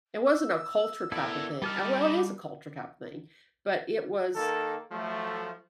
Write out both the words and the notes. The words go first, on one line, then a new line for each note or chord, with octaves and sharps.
It wasn't a culture type a thing uh, well, it is a culture type thing, but it was
E6
B3 E4 A4 A#4 D5
G3 D#4 E4 A5 D6 F6
D#3 A#3 A4
F3 F#3 A3